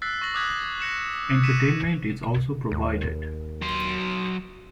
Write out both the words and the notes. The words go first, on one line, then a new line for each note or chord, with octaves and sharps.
Entertainment is also provided.
E6 F#6 A6 B6 C7
C#6 A#6 F#7
D6 D#6 F#6 G#6 B6
F#6 A#6 C#7 E7
F#6 B6 C#7 D#7 E7
D#2
F#3 C6